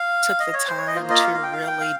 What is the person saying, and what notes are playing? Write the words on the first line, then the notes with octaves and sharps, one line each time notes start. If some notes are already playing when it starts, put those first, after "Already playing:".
took the time to really
Already playing: F5
D#5
C#5
C5
C#5
D#5
A#3 F4 C5
D#5
F5
F5
G5
F5
G5
F5